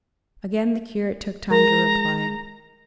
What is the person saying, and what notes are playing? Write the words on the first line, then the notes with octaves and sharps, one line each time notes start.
Again the curate took time to reply.
G#3 A#4 A#5